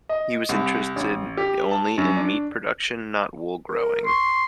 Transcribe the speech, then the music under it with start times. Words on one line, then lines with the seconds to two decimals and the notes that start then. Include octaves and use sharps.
He was interested only in meat production, not wool growing.
0.09 D#5
0.49 C2
0.96 A1
1.37 G4
1.71 A5
1.98 F#2
2.17 D4
3.69 A#4
4.06 C6 C#6